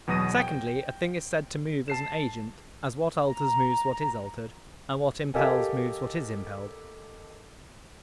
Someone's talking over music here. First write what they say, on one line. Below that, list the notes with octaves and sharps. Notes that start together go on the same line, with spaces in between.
Secondly, a thing is said to move as an agent, as what alters moves what is altered, and what impels moves what is impelled.
E2 B2 F#3 D#6 A#6 D#7
G5
A5 C7 E7
A#5
G4 A4 A#4 D#5 F5 G#5